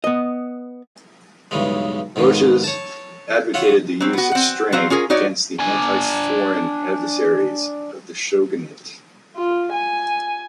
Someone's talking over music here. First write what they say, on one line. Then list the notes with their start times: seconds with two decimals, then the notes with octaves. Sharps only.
Roches advocated the use of strength against the anti-foreign adversaries of the Shogunate.
0.04 B3 D#5
1.51 B1 G2 C#3 E3 G#3
2.16 G#2 B2 D#3 F3
2.64 C#5 A5
3.54 F4 C#5 E5 F#5
4.00 F#3 C4
4.13 B3 F#4
4.32 C4 F#5
4.72 F#3 C4 C5 F5
4.90 C#4 F4 G#4 A#4
5.10 D#4 F#4 C#5 D5
5.59 D4 G#5
9.37 F4
9.72 G#5